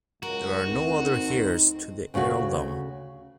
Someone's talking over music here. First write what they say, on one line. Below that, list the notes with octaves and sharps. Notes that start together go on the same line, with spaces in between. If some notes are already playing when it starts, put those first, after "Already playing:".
There are no other heirs to the earldom.
C#2 F#4 A#4
D2 C4 D#4
D2 C#3 A3 F#4